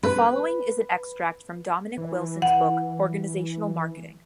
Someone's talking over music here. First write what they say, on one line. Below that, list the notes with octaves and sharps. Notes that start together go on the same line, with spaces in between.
The following is an extract from Dominic Wilson's book "Organizational Marketing".
B4
E3
F#5